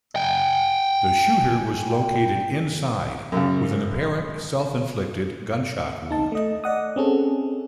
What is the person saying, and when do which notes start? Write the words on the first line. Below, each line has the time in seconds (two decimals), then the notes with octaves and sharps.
The shooter was located inside with an apparent self-inflicted gunshot wound.
0.16 G5 G#5
3.32 F#2 C#3
6.11 D#4 A5
6.32 A3 D#5
6.64 D5 D#5 F#5 D#6
6.96 C4 C#4 G#4 A4